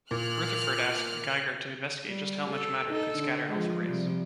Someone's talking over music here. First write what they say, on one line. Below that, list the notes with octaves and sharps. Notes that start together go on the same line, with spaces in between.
Rutherford asked Geiger to investigate just how much matter could scatter alpha rays.
A#2 F6 F#6
G3
A4
D#4 A4
D3
F3 G#3
C3 F3 G3